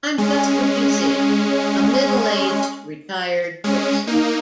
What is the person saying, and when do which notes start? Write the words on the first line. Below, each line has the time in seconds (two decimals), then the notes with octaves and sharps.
I'm just what you see — a middle-aged retired grocer.
0.18 G#3 C#4
3.64 G#3 C#4
4.07 A#3 D#4